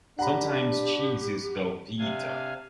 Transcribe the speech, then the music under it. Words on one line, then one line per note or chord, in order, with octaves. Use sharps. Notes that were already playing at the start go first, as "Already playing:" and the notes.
Sometimes cheese is Velveeta.
D4 G4 F#5 A#5 B5
C3 D4 F5 G#5